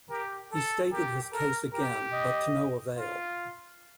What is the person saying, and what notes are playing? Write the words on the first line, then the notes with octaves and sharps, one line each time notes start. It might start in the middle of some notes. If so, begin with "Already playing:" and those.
He stated his case again, but to no avail.
G4 A#4
A4
G4 A#4
A4 A#4
G4 A#4
D#5
F4